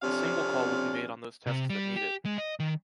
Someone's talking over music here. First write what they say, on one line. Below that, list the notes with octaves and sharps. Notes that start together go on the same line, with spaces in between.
A single call will be made on those tests that need it.
F2 C3 C#4 D4 F5
C3
G3
G4
G#3
D#5
D#3